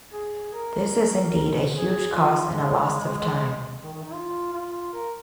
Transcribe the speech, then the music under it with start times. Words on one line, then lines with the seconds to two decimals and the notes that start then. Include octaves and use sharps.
This is indeed a huge cost and a loss of time.
0.12 G#4
0.53 A#4
1.72 G#4
2.13 F4
2.41 F3
2.52 G#3
3.83 D#3
3.93 D#3
4.03 D#4
4.13 F4
4.53 F4
4.93 A#4